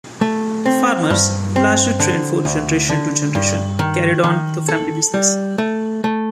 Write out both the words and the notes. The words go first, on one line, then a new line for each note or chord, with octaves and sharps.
Farmers, largely trained from generation to generation, carried on the family business.
A3
C4
G2
C4
D3
D2
D3
G2
D#3
D#3
A4
G3
A3
A3